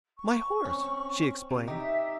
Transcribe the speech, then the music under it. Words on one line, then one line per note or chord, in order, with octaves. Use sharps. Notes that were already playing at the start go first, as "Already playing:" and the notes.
"My horse," she explained.
C#6
C4 C#4
C3
D#4 G4 E5